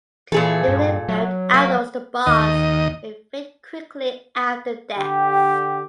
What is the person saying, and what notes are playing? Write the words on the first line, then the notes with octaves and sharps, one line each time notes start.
Even in barred adults the bars may fade quickly after death.
A#2 E3 G#4 A4
G2
F#3
F#3 A#3
D#2 D#5
D3 G4